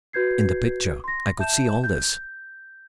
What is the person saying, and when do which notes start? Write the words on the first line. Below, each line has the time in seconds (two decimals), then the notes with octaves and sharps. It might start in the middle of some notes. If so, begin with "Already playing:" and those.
In the picture I could see all this.
0.13 F#4 B4 G6 G#6 C7
1.04 C6 A#6
1.39 E5 A5 G6 E7
1.84 G6